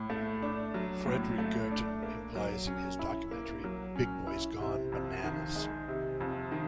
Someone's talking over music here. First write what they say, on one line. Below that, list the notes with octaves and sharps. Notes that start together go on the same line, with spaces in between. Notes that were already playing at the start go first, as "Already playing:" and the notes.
Fredrik Gertten implies in his documentary Big Boys Gone Bananas!
Already playing: A2
A3
D4
F#3
A2
A3
D4
A#3
F#3
C#4
E4
A#3
F#3
C#4
E4
C3
F2
D#3
G#3
C3
F2
D#3